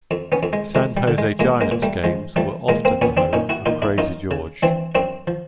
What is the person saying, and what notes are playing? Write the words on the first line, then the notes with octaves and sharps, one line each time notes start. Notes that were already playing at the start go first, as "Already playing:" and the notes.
San Jose Giants games were often the home of Krazy George.
F2
B3 C#4
F2
G#3
F2 G#3
G3
D3
G#3
A#2 G#3 A#3
G#3 A#3
A#2
G3 A3
F3 G#3
F3 G3 A3
A#2 G#3 A#3
A#3 C4
A#2 B3 C#4
C4 D4
A#2 C#4 D#4
E4 F#4
A#2 D#4 F4
D4 E4
F#2 D#4 F4
C#3
E3 C4 D4
F#2 C4 D4
F3